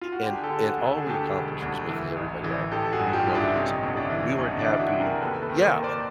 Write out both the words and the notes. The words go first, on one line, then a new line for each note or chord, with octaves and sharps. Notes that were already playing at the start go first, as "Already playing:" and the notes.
and and all we accomplished was making everybody aggravated. Nobody was happy. We weren't happy Yeah.
F4
F#4
D3 G4
G#4
G4 A4
D3
F#4 G#4
D2
A4
G#4
D2 G4 A4
E1
D2
E3
A1
E3
A1 G4 A4
F#4 G#4
G2
F4 G4
A1 F4
D4 E4
C3 C#4 D#4
D2
D4 E4
E3
D2 C#4 D#4
D4 E4
E3
E4 F#4
C3
G#4 A#4
D#2 A4 B4
A4 B4
D#3
A#4 C5
D#2
C5 D5